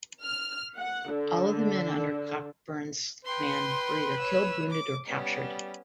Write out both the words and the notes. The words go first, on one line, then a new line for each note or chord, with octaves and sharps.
All of the men under Cockburn's command were either killed, wounded or captured.
F6
F#5
D3
B4 G5 C6
C#5 E6
D6
G3 B3 C#4